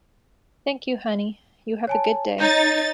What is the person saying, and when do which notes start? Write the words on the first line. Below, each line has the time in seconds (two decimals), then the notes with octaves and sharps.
Thank you, honey. You have a good day.
1.87 C#5 G#5 A5
2.40 D#4 C#5 G6 A6